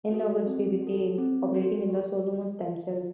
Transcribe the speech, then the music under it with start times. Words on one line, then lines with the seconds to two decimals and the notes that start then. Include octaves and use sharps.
In August she began operating in the Solomons themselves.
0.12 F#4 A4
0.47 C4
0.82 F#4 A4
1.18 C4
1.54 F#4 A4
1.90 G4